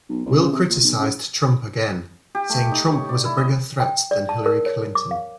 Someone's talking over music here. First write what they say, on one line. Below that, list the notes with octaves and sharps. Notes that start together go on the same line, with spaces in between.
Will criticized Trump again, saying Trump was a bigger threat than Hillary Clinton.
B1
C2
C#3
C3
A#2
B1
C#3
G4
A3
D#4
C#5
D5
E4
D#5
G5
D5
A5
A#4
C#5
D6
F5